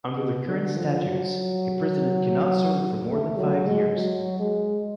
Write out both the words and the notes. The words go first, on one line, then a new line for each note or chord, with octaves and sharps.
Under the current statutes, a president cannot serve for more than five years.
B2
D3
F3
F#3
A3
F#3
G#3
F#3
G#3